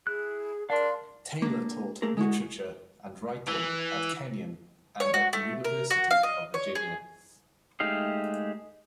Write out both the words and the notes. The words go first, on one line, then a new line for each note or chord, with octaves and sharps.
Taylor taught literature and writing at Kenyon and at the University of Virginia.
E4 G#4 F#6
D4 A#4 F5 C6
A#3 D4
A3 A#3 G#4 A#4
G#3 E4 F#4
E3
C#5
F#4
A3
A#4
F#4
F5
D#5
C#5
G#4
G#3 A3 D#4 G4 F5